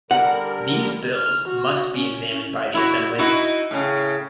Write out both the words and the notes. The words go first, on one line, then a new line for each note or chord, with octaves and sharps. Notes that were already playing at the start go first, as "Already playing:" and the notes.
These bills must be examined by the Assembly.
D3 G3 A#4 F#5
F6
F#4
C#4
E4 F#4
D#4 E4 F#4
A2 C#3